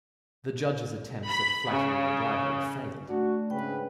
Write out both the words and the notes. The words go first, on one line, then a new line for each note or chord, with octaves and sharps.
The judge's attempts at flattery and bribery failed.
B5
C#3
A3 D4 F#4 D5
G#2 C#3 B4 G5